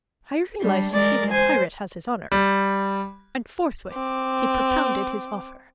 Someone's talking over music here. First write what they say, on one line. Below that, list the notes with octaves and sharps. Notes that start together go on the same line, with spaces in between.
"I realize that even a pirate has his honour." And forthwith he propounded his offer.
G3 D4
G#3 A#4 D5
C5 G#5
G3
C4 D6